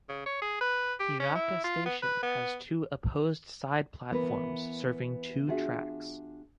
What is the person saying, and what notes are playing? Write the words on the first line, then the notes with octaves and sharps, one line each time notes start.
Hiraka Station has two opposed side platforms serving two tracks.
C#3
C#5
G#4
B4
G4
C#4
E4
F4
B3
B4
B3
E3 B3 A#4 B4
D4 F4 F#4 G#4 E5